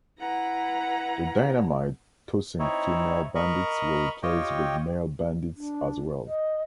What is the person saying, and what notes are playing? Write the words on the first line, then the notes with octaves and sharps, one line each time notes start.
The dynamite-tossing female bandits were replaced with male bandits as well.
E4 B4 F#5 A#5
C4 D#4 E4 C#5
A#4 D#5 B5 C#6
F4 G4 C#5 D#5 G5
D4
D#5